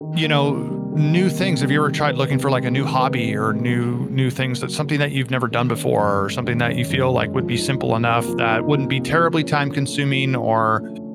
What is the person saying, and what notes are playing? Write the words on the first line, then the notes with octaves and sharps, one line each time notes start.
You know, new things, have you ever tried looking for, like, a new hobby, or new new things that's something that you've never done before, or something that you feel like would be simple enough, that wouldn't be terribly time-consuming or,
D#3
A#3
C3
G3
D#3
A#3
C3
G3
D#3
B3
C3
G#3
D#3
B3
C3
G#3
F#3
C#3
C#3
A#3
F#3
C#3
C#3
A#3
D#3
C#4
F#2
G#3
D#3
C#4
F#2
G#3
F3
D#4
C3
A#3
F3
D#4
C3
A#3
F3
C#4
D3
A3
F3
C#4
D3
A3